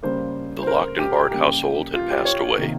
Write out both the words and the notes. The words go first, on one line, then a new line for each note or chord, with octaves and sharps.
The locked and barred household had passed away.
C#3 G3 A#3 C5
C5
A#4
G4
G4
C#3 G3 A#3 G4
F4
G4
C#5
C3 D#3 A#3